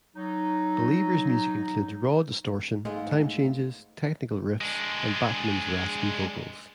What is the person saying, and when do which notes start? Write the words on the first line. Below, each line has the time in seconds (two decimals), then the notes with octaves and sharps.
Believer's music includes raw distortion, time changes, technical riffs and Bachman's raspy vocals.
0.14 F#3 D#4
2.85 G#2 G#3 A3 F4 B4 F#5
4.61 G#3 D4